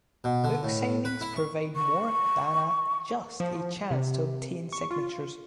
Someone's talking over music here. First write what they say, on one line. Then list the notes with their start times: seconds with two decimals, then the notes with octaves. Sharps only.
Book signings provide more than a just a chance to obtain signatures.
0.24 B2
0.44 D3
0.63 A2
1.05 B4
1.21 E4
1.36 C#6
1.76 C#6
3.40 F3
3.91 C3
4.73 C#6
4.91 F4